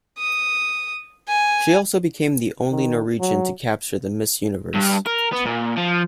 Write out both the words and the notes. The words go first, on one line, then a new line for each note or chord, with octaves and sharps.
She also became the only Norwegian to capture the Miss Universe.
D#6
G#5
D#3
F#3
G2
A#4
B3
A#2
F3